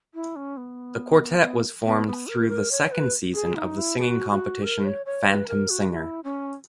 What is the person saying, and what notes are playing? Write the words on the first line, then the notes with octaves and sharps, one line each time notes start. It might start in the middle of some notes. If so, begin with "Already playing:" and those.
The quartet was formed through the second season of the singing competition "Phantom Singer".
E4
C#4
B3
B3
B3
B3
A#4
A#4
C#5
B4
G#4
D#4
E4
G#4
F#4
F#4
A#4
C#5
C#5
B4
A#4
F#4
F#4
E4
C#4